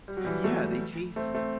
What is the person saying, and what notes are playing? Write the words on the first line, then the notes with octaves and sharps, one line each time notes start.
Yeah, they taste
G3
F#3
E3 G3
F#3 A3
A3 C4
A3 C4